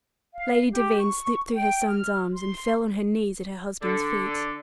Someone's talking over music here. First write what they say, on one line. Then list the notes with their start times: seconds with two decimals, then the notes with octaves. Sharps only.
Lady Devine slipped through her son's arms and fell on her knees at her husband's feet.
0.33 F5
0.70 G4
0.99 C#6
1.54 G5
1.87 F6
2.34 C6
3.81 D3